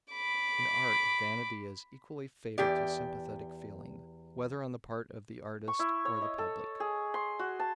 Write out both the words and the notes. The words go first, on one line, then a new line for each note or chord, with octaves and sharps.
In art vanity is equally fatal to sympathetic feeling, whether on the part of the artist or the public.
B5 D6
E2 G4 D5
C#6
E4
C#5
D#5
A4
G#4
C6
F#4
A5